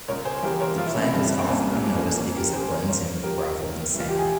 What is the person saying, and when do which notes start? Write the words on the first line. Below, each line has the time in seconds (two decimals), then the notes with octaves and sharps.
The plant is often unnoticed because it blends in with gravel and sand.
0.08 C#2 A#4 C#5
0.25 G#4 C5
0.42 E3 G4 A#4
0.60 A#4 C#5
0.78 F3 F4
0.86 E4
0.95 C#4
1.03 C4 E4
1.14 G2
1.39 C4
1.48 C2 A#3 C#4
1.71 A#3 C#4
1.84 F3
1.94 A#3 C#4
2.18 C#2 A#3 C#4
2.36 G4 A#4
2.53 F3 G#4 C5
2.70 A#4 C#5
2.88 C#2 A#4 C#5
3.23 F3 G4 A#4
3.59 C#2
3.94 E3 F4
4.08 G4
4.18 G#4